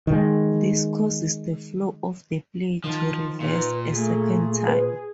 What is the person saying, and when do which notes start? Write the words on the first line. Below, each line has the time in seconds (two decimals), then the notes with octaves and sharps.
This causes the flow of the play to "reverse" a second time.
0.07 D#3 G#3
2.84 D#3 F3
3.40 A#2 B4
3.93 A3 G#4
4.68 B4